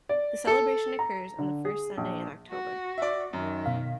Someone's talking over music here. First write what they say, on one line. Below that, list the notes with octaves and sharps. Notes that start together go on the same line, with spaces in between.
The celebration occurs on the first Sunday in October.
D5
A4
A#5
D3
G#4
A#1
F#4
D5 E5
F#2 D#3
B2 F5